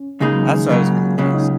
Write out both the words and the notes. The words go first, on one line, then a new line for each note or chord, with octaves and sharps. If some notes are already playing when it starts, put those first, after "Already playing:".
That's what I was gonna ask.
Already playing: C#4
C#2 C#3 G#3 A#3 D#4
F#3
D#3
C#2 C#3 F#3 A#3
C#2 C#3 F#3 C#4
D#4